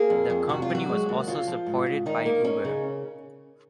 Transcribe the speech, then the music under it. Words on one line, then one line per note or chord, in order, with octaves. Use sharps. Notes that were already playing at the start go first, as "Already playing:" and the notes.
The company was also supported by Uber.
Already playing: A#3 G#4
F2
F2
C3 F#4
F4
F#3
F#4
G#3
D#2
C#3 F4
F3
G#2
G#2
D#3 D#4
A#3
C#4
C#3